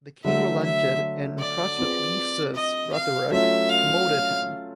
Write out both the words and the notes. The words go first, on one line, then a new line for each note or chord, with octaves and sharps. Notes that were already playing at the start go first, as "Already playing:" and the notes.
The king relented and, impressed with Li Si's rhetoric, promoted him.
D3 F#3 A3 E5
E5
D5
C4 F4 G#4 B4
D#5
F5
F#3 A3 C#4 F4 E5
F5